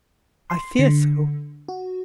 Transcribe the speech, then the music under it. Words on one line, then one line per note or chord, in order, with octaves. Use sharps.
"I fear so."
C6
D3
F#4